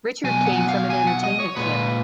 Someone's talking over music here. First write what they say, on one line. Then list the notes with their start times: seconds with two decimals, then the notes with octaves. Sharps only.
Richard came from an entertainment family.
0.24 B2 F#3 G#5
0.46 F#5
0.53 G#5
0.61 F#5
0.69 F5
0.90 G#5
1.07 F#5
1.24 D#5
1.40 C#5
1.56 A#2 G#3 B4